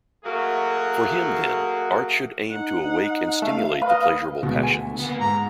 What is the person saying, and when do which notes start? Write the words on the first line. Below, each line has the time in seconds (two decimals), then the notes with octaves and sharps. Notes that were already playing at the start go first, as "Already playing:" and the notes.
For him, then, art should aim to awake and stimulate the pleasurable passions.
0.25 F#3 A3 A#3 F#4 G#4
2.49 D#4 F#5
3.42 A3 F5
3.82 A#4 B4 D#5 F5
4.43 D2 B2 G#3
4.63 G#5
4.99 A#3 B3
5.20 G#2 A#5